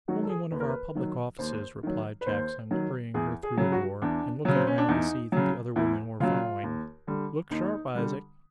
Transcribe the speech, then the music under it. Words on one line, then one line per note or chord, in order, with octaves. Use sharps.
'Only one of our public offices,' replied Jackson, hurrying her through a door, and looking round to see that the other women were following. 'Look sharp, Isaac!'
D#3 F#3 F#4
A4
G#4
D#2 B4
A#4
B4
D#3 F#3
D#2 C5
D#3 F#3
B4
D#2 C5
D#3 F#3
E2 G#4
G#4
C#3 F#3
F#4
E2 D4
C#3 F#3
C4
C#4
D4
E2 D#4
C#3 F#3
E2 E4
C#3 F#3 F4
D#2
D3 G3
D#2 D#4
D3 G3